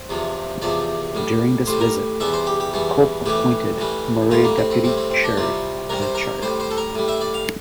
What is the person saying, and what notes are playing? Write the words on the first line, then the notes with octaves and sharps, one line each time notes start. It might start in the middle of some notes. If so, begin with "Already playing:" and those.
During this visit, Cope appointed Murray Deputy-Sheriff of Perthshire.
Already playing: C5
E2 C3 F3
E2 C3 F3 D5
A2 G3
A2 G3 C5
A#4
E2 E3 G3 E5
C5
G4
G4
E2 E3 G3
A2 E3 G3 G4
A2 E3 G3
A2 G3 F4
A#3
C4
C4
A2 G3 C4
C4
C4
D4
C2 C3 G3 F4
C2 C3 G3 A#4
C5
A#4
A2 G3 C5
C5
A4
A#4
A2 G3
E5
D5
F5